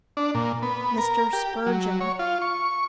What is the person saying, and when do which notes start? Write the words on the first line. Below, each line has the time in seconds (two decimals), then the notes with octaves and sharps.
Mr. Spurgeon.
0.17 D4
0.35 A#2
0.62 B3
0.98 A#4
1.33 G4
1.66 F#3
2.01 C#5
2.19 F4
2.42 C#6